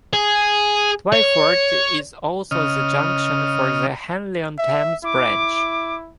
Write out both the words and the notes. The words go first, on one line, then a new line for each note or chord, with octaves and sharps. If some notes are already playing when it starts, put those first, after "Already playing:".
Twyford is also the junction for the Henley-on-Thames branch.
G#4
C#5
C#3 D#5 F6
E5
E4 D6